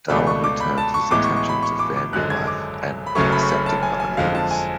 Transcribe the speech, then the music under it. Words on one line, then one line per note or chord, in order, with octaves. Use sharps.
Darwin returned his attention to family life and dissecting barnacles.
C#2 B2 A3 D4 B5
C#6
D6
B5
A5
C#6
A1 A2 G#3 B3 D6
C#6
C#6
B5
C#6
D6
D6
G#1 F#2 D3 G#3 F#6
G#6
D6
B5
F#1 F#2 C#3 F#3 A3 C#6
B5
C#6
B5
A5
G#5
G#5
F2 D3 G#3 F5
A5
G#5